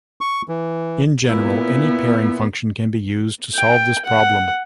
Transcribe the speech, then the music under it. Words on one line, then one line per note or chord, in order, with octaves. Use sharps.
In general any pairing function can be used to solve this problem.
C#6
E3
A#2 B3 E4
G5
F#5